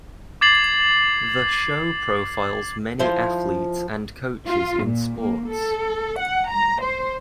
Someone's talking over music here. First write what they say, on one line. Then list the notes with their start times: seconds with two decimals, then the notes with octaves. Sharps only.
The show profiles many athletes and coaches in sports.
0.41 D6 G#6 A6 C7 F#7
2.99 F3 E4 C5
4.48 F4
4.85 A#2
5.19 A#3
5.51 A4
6.20 F#5
6.52 A#5
6.83 C5